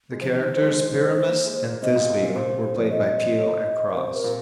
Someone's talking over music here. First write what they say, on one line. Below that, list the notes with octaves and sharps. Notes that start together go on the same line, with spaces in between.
The characters Pyramus and Thisbe were played by Peele and Crosse.
G#3
F3 C5
D#3
D#3
G#3
D#3
G#3
A#3
G#3
A#3
C3 D#5
A#2
A#2
C3
A#4
A#2 C5
C3
F3
F3 D#5
A#4
C3 C5
A#4
A#2